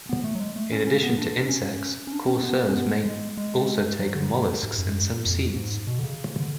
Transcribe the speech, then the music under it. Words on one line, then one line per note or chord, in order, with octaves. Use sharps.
In addition to insects, coursers may also take molluscs and some seeds.
B3
A3
F#3
G#3
A3
C#4
C#4
B3
D4
C#4
C#4
D4
C#4
B3
C#4
B3
G#3
G#3
F#3
D3
G#2
F#2
F2
G#2
B2
D3
C#3
D3